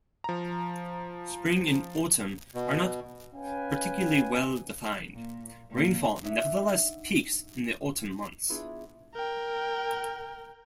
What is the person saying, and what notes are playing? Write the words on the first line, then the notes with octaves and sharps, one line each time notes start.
Spring and autumn are not particularly well-defined; rainfall nevertheless peaks in the autumn months.
F3 A#5
B2
C#4 B4 F5 G5 G#5
A#2
A#2
D4 D#4 C#5 E5 F#5
B3 D4 E4 F4 G#4
A#4 G5